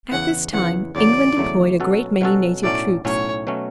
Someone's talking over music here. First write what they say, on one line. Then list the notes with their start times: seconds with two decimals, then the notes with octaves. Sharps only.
At this time England employed a great many native troops.
0.11 E2 C#3 E3 F#5
0.53 E2 C#3 E3 F#5
0.95 E2 C#3 F#3 A3 D5
1.37 E2 C#3 F#3 A3
1.80 B2 F#3 C#4 F#4 A4
2.21 B2 F#3 C#4 F#4 A4
2.63 B1 A2 F#3 A3 C#4 D5
3.05 B1 A2 F#3 A3 C#4 C#5
3.47 B2 F#3 A3 C#4